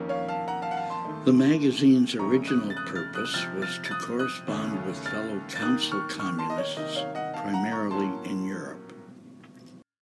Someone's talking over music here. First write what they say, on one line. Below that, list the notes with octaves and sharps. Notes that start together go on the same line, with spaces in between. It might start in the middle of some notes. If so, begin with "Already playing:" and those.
The magazine's original purpose was to correspond with fellow council communists, primarily in Europe.
Already playing: F2 D#3 A#3 C#4
C#5 F5
F5 A5
F#5 A#5
F5 A5
F#5
F5 A5
A5 C6
D#2 D#3 A3
F2 C#3 A3 C#4 A#5 C#6
D#6 F#6
A6
D#6 F#6
F6 A6
D#6 F#6
F#6
F2 C3 F3 C4 F6 A6
F6 A6
A6
D#6 F#6
D#6 F#6
D#2 C#3 A3 C#4
F6 A6
A6
D#2 D#3 A#3 D#6 F#6
C#6 F6
C#6 F6
A5 C6
D#5
C#5
C3 D#3 A#3 D#5
C#5 F5
D#5 F#5
F5 A5
F#5 A#5
A#5 C#6
A2 F#3 A#3 C#4 A5 C6